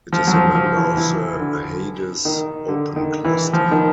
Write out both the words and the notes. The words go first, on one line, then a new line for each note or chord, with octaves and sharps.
It is a member of the Hyades open cluster.
F3
F#3
F3
F3
E3
E3
D3
D#3
D3
D#3
E3
F3
D#3